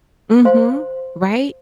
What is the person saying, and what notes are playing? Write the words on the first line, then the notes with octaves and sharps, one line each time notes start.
Mhm. Right?
C5 F5 C6